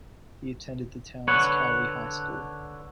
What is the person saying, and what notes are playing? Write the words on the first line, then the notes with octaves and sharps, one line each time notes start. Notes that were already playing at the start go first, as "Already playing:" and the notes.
He attended the town's Cowley High School.
D3 B4 C#5 F#5